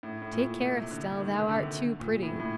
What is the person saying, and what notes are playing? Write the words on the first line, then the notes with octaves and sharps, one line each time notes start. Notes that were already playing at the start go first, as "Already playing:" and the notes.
Take care, Estelle, thou art too pretty!
A2
A2
A#2
C3
D3
D#3
C3
D3
A#2
A2
A2